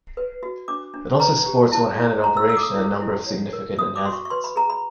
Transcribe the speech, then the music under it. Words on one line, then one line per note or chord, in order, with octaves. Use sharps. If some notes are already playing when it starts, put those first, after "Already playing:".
It also supports one handed operation and a number of significant enhancements.
B4
F#4
D4 D6
D4
B4 A#5
G4
E4 A5
E4
C5 A#5
E6
A4 E6
D6
D#6
E4
E4
C#5
A#4
F#4 D#6
D6
F#4 C6
C#6
C#6
B4 C6
B5
G#4 A#5
B5